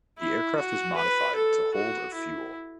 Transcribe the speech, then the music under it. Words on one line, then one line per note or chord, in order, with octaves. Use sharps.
The aircraft was modified to hold of fuel.
E4
F#4
B4
A4
F#4
E4